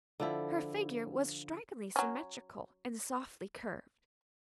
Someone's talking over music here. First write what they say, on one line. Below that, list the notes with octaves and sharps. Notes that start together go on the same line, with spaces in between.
Her figure was strikingly symmetrical and softly curved.
D3 F3 E4
F#3 C#4